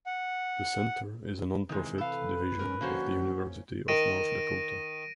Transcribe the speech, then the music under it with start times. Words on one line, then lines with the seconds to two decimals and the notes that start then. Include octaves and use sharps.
The center is a nonprofit division of the University of North Dakota.
0.06 F#5
1.69 C3 D#3 E3 G#3
1.98 A4 B4 F5
2.59 G#2 C#4 A#4
2.81 F2 D3 A#3 C#4 F#4 C5
3.88 D#3 A#6 D7 D#7